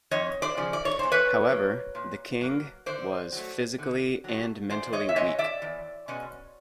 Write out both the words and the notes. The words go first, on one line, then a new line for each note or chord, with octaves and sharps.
However, the king was physically and mentally weak.
F2 C#5 D#5
C5 D5
C#3 F3
D5
C#5
A#2 C5
B4 C#5
F#3 A#3
A#2
F#3 A#3
D3 C5 D5
F#3 A3
D3
F#3 A3
E2 C5 D5
C#5 D#5
E5
B2 G#3 C#4 C#5 D#5
D5 E5
E2
B2 G#3 C#4